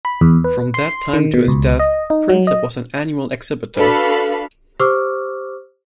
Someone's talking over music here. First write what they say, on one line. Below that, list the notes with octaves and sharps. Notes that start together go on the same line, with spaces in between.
From that time to his death Prinsep was an annual exhibitor.
B5
E2
B4
C6
D#3
B2
C#2
D#5
D#4
F#3
D#5
D4 F#4 A4 B4 F5 B5
G4 C5 C#6 D6 E6 F6